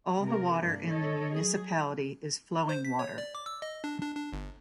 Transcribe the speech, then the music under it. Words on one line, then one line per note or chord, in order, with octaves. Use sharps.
All the water in the municipality is flowing water.
C3 A#4
G2 A#3 D4
A4 C#5 D#5
F#3 G#4
C5
B6
C#5
D5
D6
E6
D#5
D4
D4
D4
G1